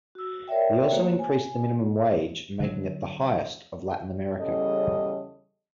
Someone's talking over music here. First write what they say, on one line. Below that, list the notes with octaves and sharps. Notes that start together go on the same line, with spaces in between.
He also increased the minimum wage, making it the highest of Latin America.
F#4 E6
A#4 C#5 D5 E5 G5
A3 A#3 F#4 C5 C#5
G#5
D3 F#3
E2 C#3 G3 C#4 A4 D#5